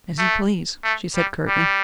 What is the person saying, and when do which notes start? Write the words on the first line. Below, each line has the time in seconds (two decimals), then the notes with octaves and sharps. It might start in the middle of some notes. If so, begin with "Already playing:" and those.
"As you please," she said curtly.
0.19 A3
0.84 A3
1.16 G3
1.48 G3